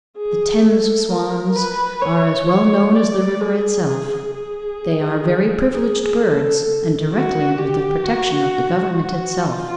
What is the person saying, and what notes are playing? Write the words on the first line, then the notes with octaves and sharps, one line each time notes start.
The Thames swans are as well known as the river itself. They are very privileged birds and directly under the protection of the government itself.
G#4
A4
A#4
B4
C#5
C#5
D5
G#4
G#4
G#4
G#4
A4
F#4
G4
F#4
F#4
F4